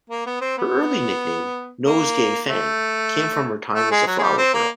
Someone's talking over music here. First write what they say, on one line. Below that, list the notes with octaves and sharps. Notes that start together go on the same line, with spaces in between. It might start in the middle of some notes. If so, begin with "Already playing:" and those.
Her early nickname, Nosegay Fan, came from her time as a flower girl.
A#3
B3
C4
B3
A#3
A3
A3
G#3
F#3
G#3
G3
C4
A#3